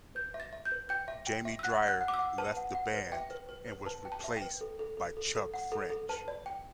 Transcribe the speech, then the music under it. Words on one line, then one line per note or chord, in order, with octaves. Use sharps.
Jamie Drier left the band and was replaced by Chuck French.
B4 G6
E5
A6
E5
G6
B4
G5 G6
E5
G5
E5
E6
F#5 F#6
F#5
F#6
F#5
D6
E6
F#5
B4 A5
F#5
F#5
B4
E5 G5
B4
B4
B4
B4 A5
G5
A5
E5
G5
B4
A4
A4
A4
A4
A4
F#5
A4
A4
B4 A5
D5
G5